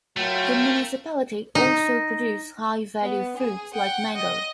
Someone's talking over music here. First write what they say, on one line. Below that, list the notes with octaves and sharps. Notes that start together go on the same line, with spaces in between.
The municipality also produces high value fruits like mango.
F#3 A3 F4 A#4 G5
D#4
B3
G#4
F#5 G5
D#5